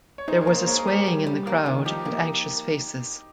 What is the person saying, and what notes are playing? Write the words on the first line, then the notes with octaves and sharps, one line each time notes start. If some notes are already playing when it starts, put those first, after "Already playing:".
There was a swaying in the crowd and anxious faces.
C#5
D#4 G#4 C5
A#4 C#5
A#3
G#4 C5
A#3 A#4 C#5
G#4 C5
G3 G4 A#4
G3
G3
A#3
D#3
F3 D#4 G4
A#3